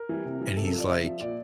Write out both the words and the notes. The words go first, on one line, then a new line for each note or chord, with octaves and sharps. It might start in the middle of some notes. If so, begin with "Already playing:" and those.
and he's like,
Already playing: A#4
E3 G3
C3
E3 G3
C3 A4
A4
F3 D5
C3 E5
F3
A#2 D5